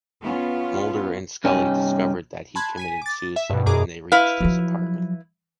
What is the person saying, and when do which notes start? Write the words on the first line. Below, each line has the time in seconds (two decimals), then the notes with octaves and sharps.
Mulder and Scully discovered that he committed suicide when they reached his apartment.
0.23 B3 C#4 F4
1.44 C2 G2 C#4 D#4 G4 G#5
2.55 A5 B5 C6 F#6 G#6
2.77 G#5 B6 D#7
3.02 D6 A6
3.36 E5
3.50 G2 B2
3.66 F#2 B2 G#4 A#5 D6
4.12 E4 B4 F5
4.41 F3 F#3